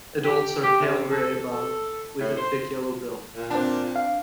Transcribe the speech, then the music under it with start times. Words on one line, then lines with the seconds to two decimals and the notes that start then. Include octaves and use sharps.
Adults are pale grey above, with a thick yellow bill.
0.24 G4
0.63 G4
0.81 C3
1.11 A4
1.52 A4
2.20 A2
2.37 C5
3.36 A#2
3.50 C4 D4 A5
3.96 F5